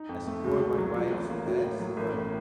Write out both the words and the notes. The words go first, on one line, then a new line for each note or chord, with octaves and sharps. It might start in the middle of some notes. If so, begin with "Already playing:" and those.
I support my wife's pets, but
Already playing: D#4
F2
A3
C#2 F#4
C#2
F#3
F#3 F4
A1
A#3
A2 F#4
A2
F#3
A1 A#4
A2